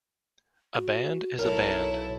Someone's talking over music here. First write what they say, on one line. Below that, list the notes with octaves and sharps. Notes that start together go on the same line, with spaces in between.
A band is a band.
F#4
B1 E4 A4 A#4 C#5